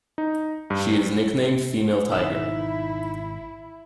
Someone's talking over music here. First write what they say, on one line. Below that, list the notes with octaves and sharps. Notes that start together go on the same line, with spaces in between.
She is nicknamed "Female Tiger".
D#4
G2
G#1 B2 D#4 E4 E6